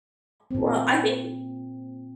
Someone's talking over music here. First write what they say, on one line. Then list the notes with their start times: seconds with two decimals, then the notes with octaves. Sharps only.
Well, I think
0.51 A#2 C4